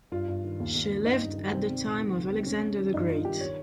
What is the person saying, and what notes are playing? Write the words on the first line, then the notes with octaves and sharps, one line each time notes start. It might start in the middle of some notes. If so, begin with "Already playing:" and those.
She lived at the time of Alexander the Great.
G2 F4
G2
D#3
D#2
D#2
C#3
G2 D#4
G2
D#3
C2 C4
C2
A#2
D#3
C#2
C3
F2 C#4
F2
D#3
G2 D#4
G2 F4
D#3 G4
C#5